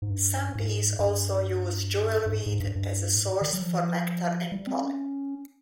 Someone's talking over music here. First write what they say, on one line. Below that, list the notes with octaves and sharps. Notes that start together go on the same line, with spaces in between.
Some bees also use jewelweed as a source for nectar and pollen.
G#2
G2
G#2
G2
G2
G#2
G#2
G2
G2
A2
G#2
D#3
F#3
F3
E3
F3
G3
C4
C#4